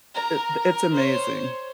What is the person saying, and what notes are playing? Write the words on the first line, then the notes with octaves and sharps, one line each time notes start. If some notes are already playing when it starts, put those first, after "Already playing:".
Eh, It Th It's amazing.
A#4 A#5
A#4
C5 C#5